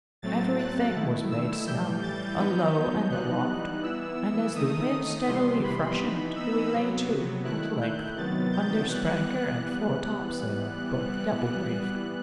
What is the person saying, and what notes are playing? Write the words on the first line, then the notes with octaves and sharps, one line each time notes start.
Every thing was made snug, alow and aloft; and as the wind steadily freshened, we lay to, at length, under spanker and foretopsail, both double-reefed.
A2 F#3 A3 C4 A6
F#6
D#3 A3 E4
E6
A2 E3 G3 G6
A6
F#3 B3 D#4 G6
G6
E3 G3 B3 D#4 F#6
E3 B3 E4 E6
D#3 A3 D#4 D#6
C3 E3 G3 B3 C6
B5
E3 B3 D#4 B5
E6
C3 F#3 B3
D#3 A3 E4 F#6
G6
C3 D#3 F#3 B3 A6
G6
E3 G3 B3 F#6